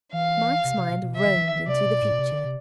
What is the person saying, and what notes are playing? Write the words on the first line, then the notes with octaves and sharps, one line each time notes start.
Mike's mind roamed into the future.
E3 F5
C3
C3
B2
B2
C3 E5
E3
D3
F3
E3
E3
C3 D5
B2
A2
B2
C3
D3
C3